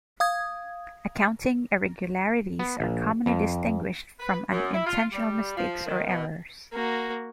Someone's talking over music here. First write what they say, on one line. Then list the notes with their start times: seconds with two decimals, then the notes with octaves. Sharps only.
Accounting irregularities are commonly distinguished from unintentional mistakes or errors.
0.20 F5 D#6 G#6
2.59 B3
2.80 A#1
3.26 F2
4.20 B4
4.51 F#2
4.74 E4
4.87 F4
5.12 G3
5.57 F3
5.86 D#3
6.08 B2
6.73 A#3 F#4